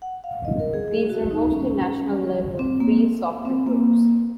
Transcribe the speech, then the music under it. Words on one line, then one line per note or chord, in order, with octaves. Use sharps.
These are mostly national-level free software groups.
F#5
F5
D#5
A#4
G#4
G#4
F#4
D#4
C#4
C4
A#3
C4
A#3